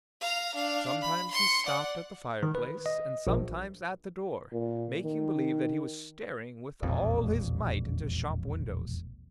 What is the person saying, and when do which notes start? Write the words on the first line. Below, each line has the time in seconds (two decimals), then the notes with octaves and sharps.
Sometimes he stopped at the fire-place, and sometimes at the door, making believe that he was staring with all his might into shop-windows.
0.21 F5 A#5
0.55 D4 F5
1.02 B5
1.31 C6 C#7
1.66 D5 F#5
2.43 D#3
2.55 B4
2.86 D#5
3.27 A#1
4.52 A#2
5.04 D#3
6.83 E1 A#1 F2